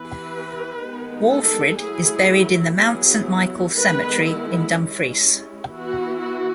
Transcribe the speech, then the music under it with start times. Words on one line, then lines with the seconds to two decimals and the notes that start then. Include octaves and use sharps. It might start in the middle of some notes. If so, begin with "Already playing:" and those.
Walfrid is buried in the Mount Saint Michael Cemetery in Dumfries.
Already playing: E3 B3 E4 B4
0.82 D#3 G#3 B3 D#4
1.31 A4
1.79 F#3 A3 E4 G#4
2.78 F#3 B3 E4 G#4
3.75 D#3 G#3 B3 B4
4.24 E4
4.74 G#3 C#4 E4
5.71 E3 B3 E4 F#4
6.21 F#4